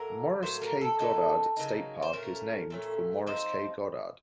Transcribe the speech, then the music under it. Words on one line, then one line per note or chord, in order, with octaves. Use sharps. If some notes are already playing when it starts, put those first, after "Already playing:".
Maurice K. Goddard State park is named for Maurice K. Goddard.
Already playing: A2 F#3 A#3 A#4
A2 F#3 A#3 C5
A#4
A4
C#3 F#3 A#3 D#4 A4
C#3 F#3 A#3 D#4
C5
A#2 A3 C#4 A#4
A#2 A3 C#4
F3 C4 D#4 C5